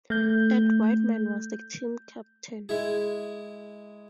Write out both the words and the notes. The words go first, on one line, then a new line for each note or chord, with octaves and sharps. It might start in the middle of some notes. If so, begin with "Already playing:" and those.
Ed Whiteman was the team captain.
A3 G6
G#3 E4 G#4